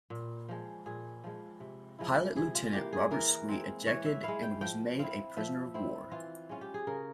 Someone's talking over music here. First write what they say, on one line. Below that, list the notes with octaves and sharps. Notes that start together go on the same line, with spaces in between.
Pilot Lieutenant Robert Sweet ejected and was made a Prisoner of War.
A#2
F3 G#3
A#2 G#4
F3 G#3
C3
F3 G#3 E4
C3 G#4
F4
E3 A#3 G4
G#4
E3 A#4
G#3 C4
E3 C#5
E5
G#3 E4 F5
G5
F3 G5
C4 E4 F5
F3 E5
C4 E4
E3 F4
G#3 C#4 F4
G4
G#4
C#3 A#4